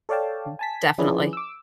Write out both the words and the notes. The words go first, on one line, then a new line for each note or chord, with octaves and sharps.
M definitely.
A4 C#5 D5 F5 G5 A5
G#5 A5 B6
F3 C#4 E4 G#4 B4 D5
D6 E6